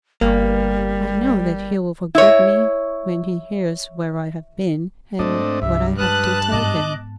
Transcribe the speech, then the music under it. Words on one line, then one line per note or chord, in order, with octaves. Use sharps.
"I know that he will forgive me when he hears where I have been and what I have to tell him."
G1 G3 A#3
E4 C#5
G#2 A3 C4 D4 D#5
C2 G2 E5
F3 G#3 B4 A5 D#6 F6 F#6
G#2 B3 D#5 D6